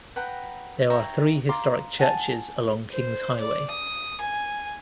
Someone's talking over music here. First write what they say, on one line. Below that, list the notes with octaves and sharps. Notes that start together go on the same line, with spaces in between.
There are three historic churches along Kings Highway.
B4 F#5 G5 A#5
C#5 E5 G5 A#5
F5 A#5 C6 D6
F#5 G#5 A5
C5
D5
D#6
G#5